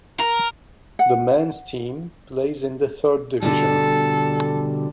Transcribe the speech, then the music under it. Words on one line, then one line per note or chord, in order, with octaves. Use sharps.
The men's team plays in the Third Division.
A#4
F#5
B2 D3 G3 A4